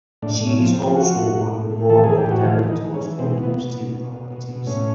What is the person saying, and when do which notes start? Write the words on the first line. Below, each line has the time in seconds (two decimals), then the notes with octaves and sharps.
She is also on the board of directors for Boston Properties.
0.22 A2 D4
0.41 A2
0.47 C#4
0.59 F3
0.72 C4
0.77 F3
0.96 F3 F#4
1.16 A2
1.34 A2
1.52 A2
1.70 A2
1.90 E3 A4
2.04 E3 G#4
2.18 G4
2.26 A2 F#4
2.45 E3 F4
2.63 E3
2.69 D#4
2.82 E3
2.94 C#4
3.01 E3
3.19 B2 C4
3.38 B2
3.43 B3
3.57 B2
3.68 B3
3.74 B2
3.93 B2
4.12 B2
4.30 B2
4.48 B2
4.67 A2 C#4